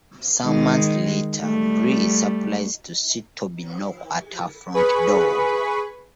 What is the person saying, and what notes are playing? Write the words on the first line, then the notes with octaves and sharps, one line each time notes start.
Some months later, Bree is surprised to see Toby knock at her front door.
D#3 G#3 D#4
G3 A3
G#4 B4 B5 C#6